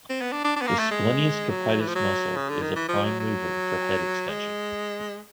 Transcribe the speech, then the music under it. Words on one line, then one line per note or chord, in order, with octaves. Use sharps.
The splenius capitis muscle is a prime mover for head extension.
C4
B3
D4
D4
D4
B3
A#3
A3
G#3
F#3
E3
F3
F#3
C#3
D3
D#3
E3
F3
F#3
F#3
G#3